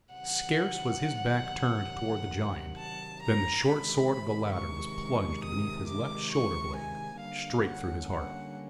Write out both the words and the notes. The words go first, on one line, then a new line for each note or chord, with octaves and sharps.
Scarce was his back turned toward the giant than the short-sword of the latter was plunged beneath his left shoulder blade, straight through his heart.
C3 D#3 F#3 F#5
A5
A#5
C3 D#3 G#3 B5
C#6
D#6
D6
C#6
G#5
D3 G3 A#3 C#4 F5
F#5
F#5